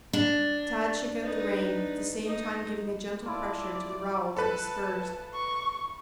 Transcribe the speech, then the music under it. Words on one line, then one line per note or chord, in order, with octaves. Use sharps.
Tad shook out the rein, at the same time giving a gentle pressure to the rowels of his spurs.
D4
D#4 B4
D#4 D#5
E4 F4 D5 A5
A4 B4 A5 B5
C#6